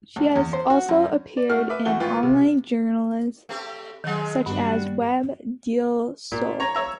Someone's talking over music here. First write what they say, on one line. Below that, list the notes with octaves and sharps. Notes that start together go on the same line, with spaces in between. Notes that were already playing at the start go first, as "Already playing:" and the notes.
She has also appeared in online journals such as "Web Del Sol".
C#2
E2
C5
F#4
F#2
D5
A3 F#4 F6
B4 E5 D6
E3 A3 F#4 G7
G#1 F4 B4 G5 C#6
C3
A3 C4 G4
C3 D#3 F#3 G#3
G2 G3 B3 D4 F#4
A#2
C#5 A#5
C#5 E5 A#5